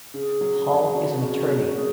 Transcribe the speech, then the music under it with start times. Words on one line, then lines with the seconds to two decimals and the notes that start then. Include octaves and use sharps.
Hall is an attorney.
0.14 C#3 G#4
0.41 F#3
0.69 F#1
0.95 F#2 F#4
1.22 C#3
1.48 F#3
1.75 A#3 G#4